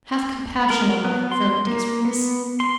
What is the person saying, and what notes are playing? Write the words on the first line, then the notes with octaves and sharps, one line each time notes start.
Have compassion on my infirmities for his sake.'
A#4
B3
C6
A#3
B3
C6